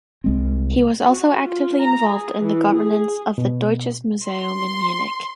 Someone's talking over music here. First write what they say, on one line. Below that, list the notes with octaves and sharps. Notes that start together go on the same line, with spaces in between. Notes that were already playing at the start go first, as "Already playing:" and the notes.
He was also actively involved in the governance of the Deutsches Museum in Munich.
C2 G#3 C4
F#4
F4
A#5
G#4
E3
G#4
B2
C6